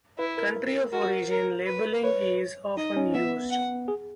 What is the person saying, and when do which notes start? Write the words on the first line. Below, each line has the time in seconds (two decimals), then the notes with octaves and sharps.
Country of Origin Labeling is often used.
0.19 E4 B4
0.38 A#4
0.93 F#4 A#4
1.30 A#4
1.66 B4
2.03 B4 C#5
2.77 D#4 D#5
2.96 C#4
3.14 B3 E5
3.51 F#5
3.88 G#4